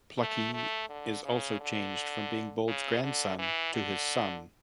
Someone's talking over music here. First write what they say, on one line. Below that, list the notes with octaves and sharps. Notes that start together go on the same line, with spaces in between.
Plucky is also changed from being Bold's grandson to his son.
A3
A3
D3
C#3
D3
C#3
D3
E3
D3